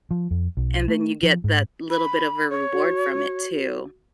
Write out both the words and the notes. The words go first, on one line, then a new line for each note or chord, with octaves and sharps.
and then you get that little bit of a reward from it, too.
F3
F2
B1
A3
F3
G#2
B5
C#5
F#4